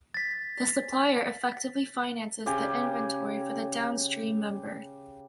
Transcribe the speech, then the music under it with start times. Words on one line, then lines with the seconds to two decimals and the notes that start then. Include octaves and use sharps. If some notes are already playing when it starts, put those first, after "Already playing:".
The supplier effectively finances the inventory for the downstream member.
0.14 A6 B6
2.46 C#3 G4 G#5